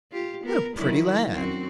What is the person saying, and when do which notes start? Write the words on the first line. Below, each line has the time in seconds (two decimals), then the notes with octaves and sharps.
"What a pretty lad!"
0.12 F4 G4
0.44 B3 A#4
0.76 D#3 F#3 E4
1.31 F#2 C4 F#4